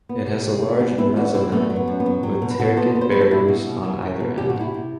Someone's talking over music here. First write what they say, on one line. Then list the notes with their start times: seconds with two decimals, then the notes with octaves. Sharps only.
It has a large mezzanine with ticket barriers on either end.
0.09 B3
0.26 C3
0.44 C3
0.62 C3
0.80 E3 B3 D4
0.98 B3 C4 E4
1.16 E3 D4 F#4
1.34 C3 C4 E4
1.52 A3 B3 D4
1.70 F#3
1.76 B3
1.87 F#2
2.00 B3
2.06 F#3
2.23 F#3 C4
2.42 B2
2.51 B4
2.59 B2 F#4 A4
2.77 B3 A4 C5
2.95 B3
3.01 C5
3.12 F#3 B4
3.21 A4
3.31 B2 E4 G4
3.48 B2
3.66 B2
3.84 F#3
4.02 F#3
4.20 B2
4.38 C3 G4
4.50 F#4
4.56 C3 E4 G4
4.74 C3